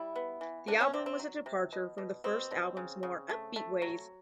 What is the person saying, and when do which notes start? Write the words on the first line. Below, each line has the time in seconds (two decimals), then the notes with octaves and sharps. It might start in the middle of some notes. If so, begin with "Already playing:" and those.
The album was a departure from the first album's more upbeat ways.
Already playing: G3 E4
0.16 B3
0.41 E3
0.67 C3 D4
0.81 C#4
0.93 C3 C4
1.06 C4
1.19 F#3
1.46 C3
1.72 B2
1.98 B2
2.24 B2 C4
2.51 B2
2.77 C#3
3.03 C#3
3.29 A3
3.56 A3
3.82 F#3